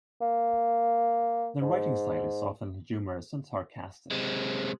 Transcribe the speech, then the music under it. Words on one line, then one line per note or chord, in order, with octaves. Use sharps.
The writing style is often humorous and sarcastic.
A#3
G#2
C3 G#3